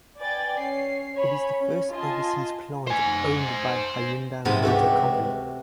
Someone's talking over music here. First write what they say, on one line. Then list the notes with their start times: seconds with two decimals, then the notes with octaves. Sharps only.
It is the first overseas plant owned by Hyundai Motor Company.
0.19 B4 D5 G5 G#5 A6
0.58 C#4 C7
1.14 C#5 G#5 B5
1.59 C#4
1.92 F4 D#5 G#5 A5 C6
2.87 C5 G#5
4.45 G#2 C3 F3 B3 E5
4.63 C#2 E3 A3 F#4 G4